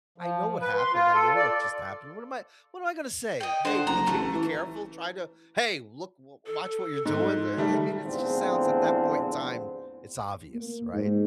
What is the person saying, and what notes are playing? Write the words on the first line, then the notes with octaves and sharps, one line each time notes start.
I know what happened, I know what just happened, what am I what am I gonna say? "Hey. Be ca be careful. Try to Hey! Look, w watch what you're doing." Eh eh I mean, it just sounds, at that point in time it's obvious, right?
F3
B4
C6
F4
A4
D5
D#5 G5
D3 C5 F#5
F#1 A#5
A1 A3
E3
A4
G#2
D#3 G3 A3
E2 A2 D3 F3 C4
A#3
G#2